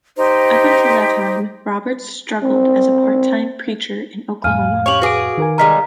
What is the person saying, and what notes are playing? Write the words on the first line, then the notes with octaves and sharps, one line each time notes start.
Up until that time, Roberts struggled as a part-time preacher in Oklahoma.
D#4 G4 C5
C4
F2 A2 F5 G#5 F6 D#7
C#4 G4 C#6 F7 F#7
F#4 G#4 B4 D6 D7
D#3 A#4 G#5
G3 G#3 B3 A#5 F6 B6